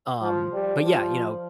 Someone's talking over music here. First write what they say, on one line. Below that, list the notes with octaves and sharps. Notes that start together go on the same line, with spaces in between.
Um, but yeah, you know,
F3
G3
F3